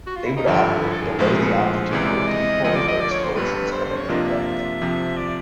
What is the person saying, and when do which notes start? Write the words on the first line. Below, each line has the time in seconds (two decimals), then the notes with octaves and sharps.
They would operate below the altitude where decoys or explosions had any effect.
0.07 F#4
0.16 F4
0.26 E4
0.37 D#4
0.46 G#1 G2 D3 F3 D4
0.64 E4
0.82 E4
0.93 A4
1.01 G#4
1.19 A#1 A2 F3 G#3 A4
1.31 A#4
1.43 B4
1.55 C5
1.91 C#2 C3 E3 G#3 D5
2.27 D#5
2.64 D2 D3 F3 D#5
2.76 D5
2.88 D#5
3.01 D5
3.12 C#5
3.24 C5
3.36 G1 G2 D3 G3 B4
3.72 C5
3.85 C5
3.97 C#5
4.09 C3 F3 A#3 D4 F4 D#5
4.28 E5
4.81 F2 C3 F3
5.17 D5